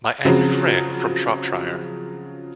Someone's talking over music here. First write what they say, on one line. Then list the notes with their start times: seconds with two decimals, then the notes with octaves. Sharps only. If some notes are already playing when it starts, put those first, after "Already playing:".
My angry friend from Shropshire!
0.25 C#3 F3 F#3 C4 F#4